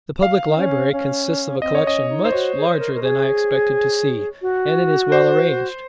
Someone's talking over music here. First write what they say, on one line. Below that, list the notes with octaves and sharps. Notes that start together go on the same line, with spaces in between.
The public library consists of a collection much larger than I expected to see; and it is well arranged.
F5
D#4
C#4
C#4
C4 D#5
C#5
C#4 D#5
D#4
C5
F#4 C#5
G#4
C5
A#4
A#4
G#4
F#4
C5